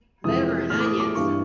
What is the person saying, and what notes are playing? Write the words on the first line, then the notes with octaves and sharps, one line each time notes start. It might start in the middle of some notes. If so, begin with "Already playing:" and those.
Liver and onions.
F2 C3 E3 G#3 D#6
A2 E3 A3 F6
D6
D#6
D6
G2 E3 G3 A#3 C#6